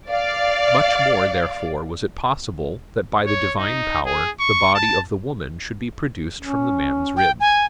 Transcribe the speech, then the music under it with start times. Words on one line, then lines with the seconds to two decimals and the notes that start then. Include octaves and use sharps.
Much more, therefore, was it possible that by the Divine power the body of the woman should be produced from the man's rib.
0.11 D5 F5
3.26 C#5
3.59 D#4
4.06 G#4
4.40 C#6
4.75 A5
6.41 C#4
7.17 G5
7.40 G#5